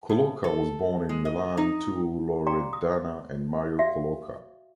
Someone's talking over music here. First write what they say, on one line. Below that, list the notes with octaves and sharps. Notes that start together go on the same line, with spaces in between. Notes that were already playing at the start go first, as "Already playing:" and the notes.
Colloca was born in Milan to Loredana and Mario Colloca.
A2
A4
G#3
D#5
D#4
G#4 D5 F5 G5 A#5 C6
D#6
F#4 D5 E5 F5